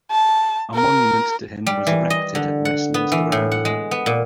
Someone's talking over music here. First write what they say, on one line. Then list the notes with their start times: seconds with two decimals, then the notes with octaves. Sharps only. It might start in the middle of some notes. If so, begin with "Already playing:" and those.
A monument to him was erected at Westminster Abbey.
0.12 A5
0.75 A#4
1.67 G3
1.87 E3
2.10 D#5
2.35 D3
2.65 F#5
2.94 B3
3.12 E3
3.32 A2
3.51 F#5
3.65 G#3
3.91 B3
4.06 A#2